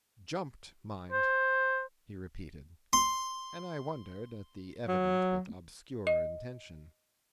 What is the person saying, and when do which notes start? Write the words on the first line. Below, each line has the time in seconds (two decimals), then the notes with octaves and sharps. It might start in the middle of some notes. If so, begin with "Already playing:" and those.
"Jumped--mind!" he repeated, and I wondered at the evident but obscure intention.
1.12 C5
2.93 C6
4.87 F#3
6.07 D#5